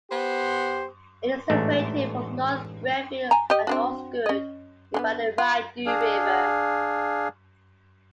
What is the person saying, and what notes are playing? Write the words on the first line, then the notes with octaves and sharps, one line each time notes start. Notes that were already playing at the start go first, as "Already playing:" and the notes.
It is separated from North Grenville and Osgoode by the Rideau River.
B3 G4 C5
A1 G#2 A3 D4
G#5 A#5
G4 D#5
C4 D4 F#4
C#4 D#5
D3 G#3 B3
F4
D4 G#4 F5